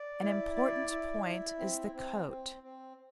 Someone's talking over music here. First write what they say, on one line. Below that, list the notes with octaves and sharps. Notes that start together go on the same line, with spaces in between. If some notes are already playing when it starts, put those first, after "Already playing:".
An important point is the coat.
Already playing: D5
E4
D5
E4
E4
C4
C4
C4
C4